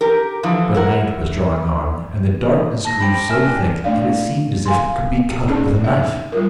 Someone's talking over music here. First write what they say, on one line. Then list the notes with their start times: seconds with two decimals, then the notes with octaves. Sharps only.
But night was drawing on, and the darkness grew so thick that it seemed as if it could be cut with a knife.
0.01 G4 A#4
0.43 D3 E3 F3
0.75 E4 A#4 F#5
2.85 A5 A#6
3.00 G4 C5 B5 A#6 D7
3.29 E5 G#5 F6 E7
3.45 D4 G4
3.84 A3 D4 D5 F5
4.66 F5 G#5 C6
5.48 C#4 D#4 G#4 D5 A5
5.84 E5
6.32 G3 F4 A#4